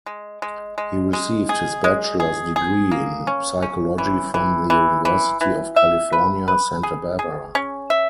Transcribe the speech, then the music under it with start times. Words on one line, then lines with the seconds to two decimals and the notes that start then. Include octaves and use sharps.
He received his bachelor's degree in psychology from the University of California, Santa Barbara.
0.06 G#3
0.42 G#3
0.78 G#3
1.13 G#3
1.49 G#4
1.84 G#3
2.20 G#4
2.56 G#4
2.91 A#3
3.27 C#4
3.62 C#4
3.98 E3
4.34 E3
4.70 E3
5.05 E3
5.41 E3
5.76 E5
6.13 B4
6.48 B4
6.83 G#4
7.19 G#4
7.55 C#4
7.90 E5